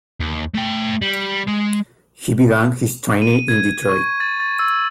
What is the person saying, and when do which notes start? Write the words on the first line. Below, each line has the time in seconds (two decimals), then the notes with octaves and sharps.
He began his training in Detroit.
0.21 D#2
0.55 A3 G5
1.02 G3
1.48 G#3
3.22 D#7
3.48 G#6
3.89 C#6
4.20 A6
4.40 A6
4.59 E6